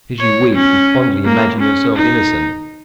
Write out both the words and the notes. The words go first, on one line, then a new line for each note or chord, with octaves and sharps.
Because you weep, you fondly imagine yourself innocent?
C#5
C#4
A#3
C#4
D#4